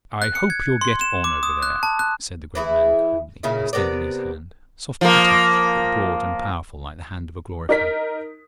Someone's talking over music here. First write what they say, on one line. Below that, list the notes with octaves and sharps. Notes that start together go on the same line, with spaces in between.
"I hope you'll get on over there," said the great man kindly, extending his hand, soft to the touch, but broad and powerful like the hand of a glorified farmer.
F#6
C#7
G#6
C6
E7
D6
D#6
F#6
A5
F#6
E3 E4 G#4
A#2 C#3 D#4 E4
C3 B3 A#4 D5
F3 A#3
D#4 A#4 B6